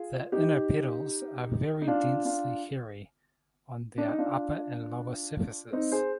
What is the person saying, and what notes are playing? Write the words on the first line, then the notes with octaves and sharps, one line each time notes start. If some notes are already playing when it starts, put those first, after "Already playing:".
The inner petals are very densely hairy on their upper and lower surfaces.
Already playing: F4 G#4
D#4 G4
D#4
D4 F4
D4 F4
D4
D#4
D4 F4
C4 D#4
G#4 C5